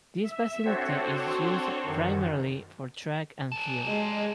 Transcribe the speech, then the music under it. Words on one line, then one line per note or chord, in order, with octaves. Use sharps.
This facility is used primarily for track and field.
E5
C4 D4 F#4 A4 C5 C#5
F#2 D3 D#3
C#4 A4
G#3